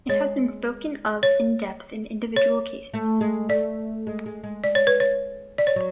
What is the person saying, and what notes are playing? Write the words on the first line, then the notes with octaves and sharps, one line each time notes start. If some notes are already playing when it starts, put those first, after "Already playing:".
It has been spoken of in depth in individual cases.
G#3 C#5
C#5
C#5
A3
G#3
A3 D5
G#3
G#3
G#3
D5
C#5
B4
C#5
D5
C#5
F#3